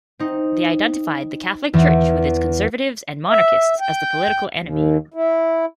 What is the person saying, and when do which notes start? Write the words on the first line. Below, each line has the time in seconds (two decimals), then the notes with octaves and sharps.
They identified the Catholic Church, with its conservatives and monarchists, as the political enemy.
0.19 C4 D#4
1.73 E2 E3
3.29 E5
3.80 G5
4.58 D#2
5.14 E4